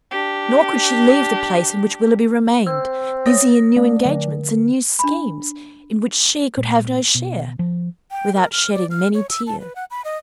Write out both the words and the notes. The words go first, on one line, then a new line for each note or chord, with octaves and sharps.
Nor could she leave the place in which Willoughby remained, busy in new engagements, and new schemes, in which SHE could have no share, without shedding many tears.
D4 G4
C4 E6
C#5 D#6 A#6
A3 D4
D3
D4 B5
A#2
B2
F3
G5
A#4
F6
D5
F6
C#5
E6
A5
B4
F#5
B5
D#5